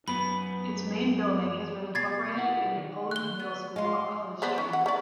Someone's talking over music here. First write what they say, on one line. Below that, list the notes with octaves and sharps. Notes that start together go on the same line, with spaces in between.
Its main building has been incorporated into Poland Middle School on College Street.
F#2 B3 B5
B2 G#6 A6 C7
B3 E4 F#5
D#3
F#6 G7
B3
G#3 F5 C6
B3 C5 D5
C#4
F#5
C#4 D5